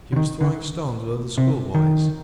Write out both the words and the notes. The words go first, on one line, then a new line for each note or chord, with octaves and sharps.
He was throwing stones with other schoolboys.
D3
D#3
D3
C3
D#3